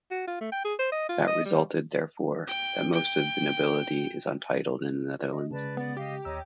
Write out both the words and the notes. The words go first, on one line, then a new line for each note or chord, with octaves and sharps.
That resulted therefore that most of the nobility is untitled in the Netherlands.
F#4
F4
A3
G5
G#4
C5
D#5
F4
D#5
G3
G5
G5
D#5
C#3 G#3 B4 D5 A5
B3 D5 F#5
G4 D#5 F5
D#2 C#5 D#5 A#5 E6